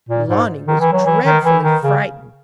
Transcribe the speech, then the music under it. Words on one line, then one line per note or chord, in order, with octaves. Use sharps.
Lonnie was dreadfully frightened.
A#2
G#2
D#3
E3
F#3
E3
D#3
E3
D#3
C#3